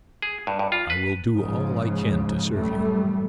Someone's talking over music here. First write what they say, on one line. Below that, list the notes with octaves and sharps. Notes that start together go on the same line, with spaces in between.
I will do all I can to serve you.
G#4
G2
G2
F4
B4
G#2 C#3 F3
A1 F#2 G3 A3